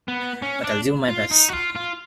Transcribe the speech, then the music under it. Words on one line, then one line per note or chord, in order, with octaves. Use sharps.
But I’ll do my best.
B3
C#4
D4
F4
D#4
F#4
F4
F4